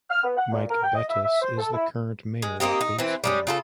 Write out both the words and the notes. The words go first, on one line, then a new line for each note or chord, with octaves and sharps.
Mike Bettice is the current mayor of Batesville.
F6
B3
F#5
A#2
A#4
G5
D#5
E5
E5
C5
A4
E4
G#3
A#3 C4 D#4 G4
D#4
E3 C4
G3 G#3 C#4
C#3 F4 A4